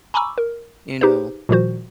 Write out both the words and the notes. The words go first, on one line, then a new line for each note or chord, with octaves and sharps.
you know,
G#5 A#5 B5 C#6 D6 E6
A#4
D#4 G4 G#4 B4 C5
A#2 D#3 F3 G3 F#4 C5